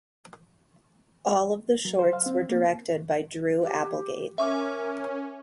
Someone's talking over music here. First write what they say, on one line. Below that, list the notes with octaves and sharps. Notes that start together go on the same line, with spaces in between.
All of the shorts were directed by Drew Applegate.
F#3
C5
F5
C4
A#3
G4
C#4 A#4 E5 C#6 D6